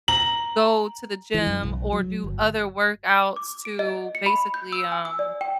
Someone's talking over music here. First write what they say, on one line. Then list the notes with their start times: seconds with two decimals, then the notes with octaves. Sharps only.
go to the gym or do other workouts to basically, um,
0.08 A#5 F#7
1.34 E3
1.47 F#2
1.63 B1
1.93 F#3
2.24 G1
3.36 D6
3.65 D7
3.79 D#5
4.15 C#7
4.26 B5
4.54 G6
4.73 E6
4.92 G#5
5.05 E6
5.19 D5
5.41 G5